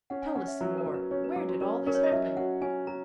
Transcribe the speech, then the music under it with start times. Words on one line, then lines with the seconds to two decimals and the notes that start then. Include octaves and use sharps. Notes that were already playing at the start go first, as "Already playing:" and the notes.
"Tell us some more. Where did all this happen?"
0.10 C#4 F#5
0.22 G#5
0.35 C#4 F#5
0.48 E5
0.60 F#3 E5
0.71 B4
0.78 A#4
0.86 F#3
0.94 B4
1.11 C#4 C#5
1.24 B4
1.36 F#3 G#4
1.49 F#4
1.61 C#4 A#4
1.86 C#4 A#4
1.95 C#5
2.03 D#5
2.12 F#3 E5
2.37 F#4 F#5
2.61 C#4 G#5
2.87 F#4 A#5